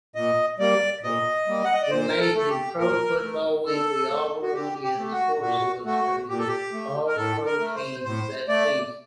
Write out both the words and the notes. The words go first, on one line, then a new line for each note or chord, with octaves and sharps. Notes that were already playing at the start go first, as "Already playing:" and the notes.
He made the "Pro Football Weekly" All-Rookie and "Sports Illustrated" All-Pro teams that season.
A#2 D#5
G3 A#3 D5
A#2 D#5
G3 A#3
F#5
D#5
D5
A#2 C5
A#4
A4
A3 A4
G4
A#2 A#4
A3
D3 A4
A3
F#4
D3 G4
G4
A3
F#4
A#2 F#4
A3 F#4
A#2 G4
A4
G4
A3
A#4
A2 A4
A#4
A3
C5
A2 C5
A3 D5